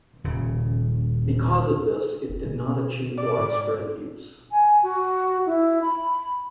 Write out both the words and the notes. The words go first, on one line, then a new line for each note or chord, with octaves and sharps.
Because of this, it did not achieve widespread use.
D#1 C#3
F#1
B2
D5
G#2
G#5
F#4
E4
B5